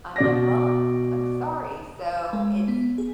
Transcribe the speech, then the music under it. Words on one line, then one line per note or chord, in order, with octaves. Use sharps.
I'm, like, "Well, I'm I'm sorry." So, it's
B2 D5 A#6
G#3
B3
G#4